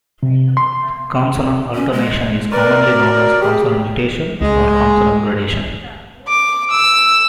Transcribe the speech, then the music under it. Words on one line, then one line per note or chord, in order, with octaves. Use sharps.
Consonant alternation is commonly known as consonant mutation or consonant gradation.
C3
C6
C#4
G#3
A#4 B4 D5
F#4
G4 G#4
C#2 G#3
D6
E6